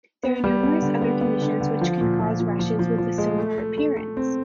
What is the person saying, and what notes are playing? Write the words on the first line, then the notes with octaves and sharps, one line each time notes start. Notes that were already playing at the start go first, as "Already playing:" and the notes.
There are numerous other conditions which can cause rashes with a similar appearance.
B3
G3
B3
D3
B3
B3
D3
D3
F3
A#2
F3
F3
F3
F3
F3
G#3
A3
A3
A3
A3
C4